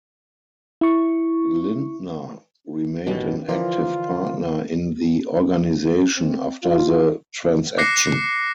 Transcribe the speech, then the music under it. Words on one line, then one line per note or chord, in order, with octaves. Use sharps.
Lindner remained an active partner in the organization after the transaction.
E4 C#6
A1 F#2 B2 D#3 C#4 G4
D3 E3 F3 F4 A#4 C5 D5
C4
F4
D6 F#6 A#6 C7 C#7